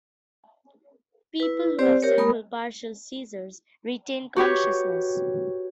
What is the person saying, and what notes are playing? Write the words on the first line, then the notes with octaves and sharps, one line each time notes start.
People who have simple partial seizures retain consciousness.
E4 B4
C4 G4 C5 D5
G4 A#4 C#5
G#3 A#3 A#4 B5 D#6
F#4 G4 B4 C#5